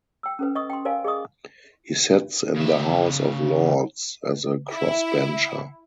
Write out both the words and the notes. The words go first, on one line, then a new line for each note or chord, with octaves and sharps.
He sits in the House of Lords as a crossbencher.
G5 E6
C#4 A4 B4
D#5 C#6 D#6
G5 C6
A#4 C5 D5 F5 G#5
G#4 D5 D#5 C#6 D#6
C#3 E5
E4